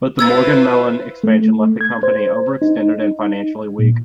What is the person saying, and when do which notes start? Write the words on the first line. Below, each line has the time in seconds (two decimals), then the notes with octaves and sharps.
But the Morgan-Mellen expansion left the company overextended and financially weak.
0.19 E4 F4 B4 C5 E6 G#6 A6
1.24 A3
1.81 G#6
2.03 C5
2.62 D#4
3.79 A#2